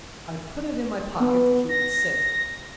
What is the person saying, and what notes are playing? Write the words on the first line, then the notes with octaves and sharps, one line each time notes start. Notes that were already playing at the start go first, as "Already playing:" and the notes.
I put it in my pocket to keep it safe.
B3
A#6